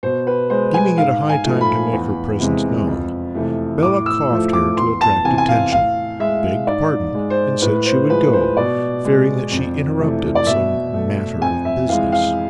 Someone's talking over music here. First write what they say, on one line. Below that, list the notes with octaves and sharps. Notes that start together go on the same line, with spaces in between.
Deeming it high time to make her presence known, Bella coughed here to attract attention, begged pardon, and said she would go, fearing that she interrupted some matter of business.
B2 C5
B4
G#3 C5
G#5
G#2 F5
G#5
F3 A3
B5
E2
C3 E3 G#3
F2
C3 E3 A3
A2 D6
E6
F3 A3
D6
E2 C6
A5
C3 E3 G#5
G#5
F5
A2 F5
G#3 E5
G#2 D5
G#3
C5
A2 B4
C5
F3 G#3 B4
C5
B2 D5
G#3
F2
C3 E3 A3
D5
B2 E5
A3
F2 G#5
E5
E3 G#3 F5
F5